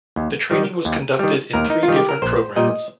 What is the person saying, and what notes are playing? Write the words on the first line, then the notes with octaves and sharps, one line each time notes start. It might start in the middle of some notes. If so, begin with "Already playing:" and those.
The training was conducted in three different programs.
D#2
D#3 G3
D#2
D#3 G3
D#2 A#4
D#4
F4
D#3 G3
G4
A#4
A#1 C5
A#2 G3 D#5